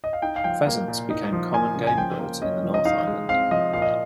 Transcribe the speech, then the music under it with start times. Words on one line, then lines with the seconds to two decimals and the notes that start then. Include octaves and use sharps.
Pheasants became common game birds in the North Island.
0.04 D#5
0.13 F5
0.22 D#4 G5
0.36 F5
0.44 F3 G5
0.67 A#3
0.88 A#2
1.10 D#4
1.32 F3
1.54 A#3 G#5
1.76 C#3
1.87 G#5
1.98 F3 G5
2.19 A#3
2.42 C#4 D#5
2.63 F3
2.74 D#5
2.85 D#4 F5
3.07 G#3
3.29 C4 F5
3.51 F3 D#5
3.73 A#2 F5
3.82 D#5